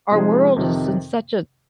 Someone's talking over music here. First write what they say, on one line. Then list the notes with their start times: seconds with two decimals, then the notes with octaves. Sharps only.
our world is in such a i
0.12 C3 F3 G#3 D#4 G#4
0.56 F2 C3 D#3